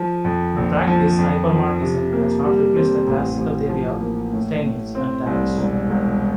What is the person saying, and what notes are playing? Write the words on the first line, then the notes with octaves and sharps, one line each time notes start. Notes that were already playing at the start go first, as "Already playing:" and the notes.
In practice, hypermodernism has not replaced the classical theory of Steinitz and Tarrasch.
Already playing: F3
F2
A#1
F3
F2
F3
C3
A#3
G3
C4
A1
A1
F3
A#3
A2
A2
C4
C2
E1
E1